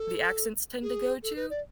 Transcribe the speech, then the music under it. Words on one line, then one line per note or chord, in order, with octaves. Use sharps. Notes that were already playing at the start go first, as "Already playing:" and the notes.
the accents tend to go to,
Already playing: A4
G#4
A4
B4
D5